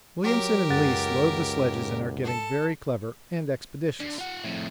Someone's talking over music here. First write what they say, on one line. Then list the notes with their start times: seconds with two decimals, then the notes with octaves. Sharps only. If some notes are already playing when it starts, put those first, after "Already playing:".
Williamson and Leese load the sledges and are getting very clever and expeditious.
0.24 F#3 G4 A#4
0.70 C#2 F#2 F#5 A6
2.24 A4
4.00 D3
4.19 F4 F#5
4.44 F2 A2